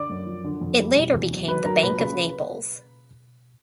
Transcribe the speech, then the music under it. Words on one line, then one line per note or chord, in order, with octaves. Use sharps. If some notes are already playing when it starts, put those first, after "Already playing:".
It later became the Bank of Naples.
Already playing: D3 D5 D6
F#2
F3
D3
F2
G3
B2
E2
F#3
F#3 B4 B5
F#3 A#4 A#5
A#2 B4 B5
C#3 B4 B5